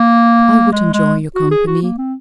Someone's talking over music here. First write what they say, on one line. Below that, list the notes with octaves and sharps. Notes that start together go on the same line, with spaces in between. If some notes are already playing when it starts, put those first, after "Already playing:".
"I would enjoy your company."
Already playing: A#3
G#3
G#3
F#4
G#4
F#4
A#3
C4